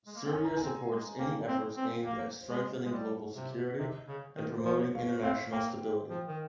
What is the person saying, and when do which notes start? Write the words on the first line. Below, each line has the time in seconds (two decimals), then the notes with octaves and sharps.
Serbia supports any efforts aimed at strengthening global security and promoting international stability.
0.07 G#3
0.16 A#3
0.24 C4
0.33 C#4 G#5
0.45 A#5
0.57 G#5
0.62 C4
0.91 G#3
1.19 A#3 G5
1.48 C4
1.77 C4
2.05 A#3 F5
2.41 C5
2.49 G#3 C#5
2.86 G#3
2.92 G3 C#5
3.35 C3
3.78 C3 D#5
4.08 C#3
4.36 D#3
4.58 C5
4.65 F3 C#5
4.95 F5
5.23 C4 F5
5.52 A#3 G5
6.10 F3
6.28 D#3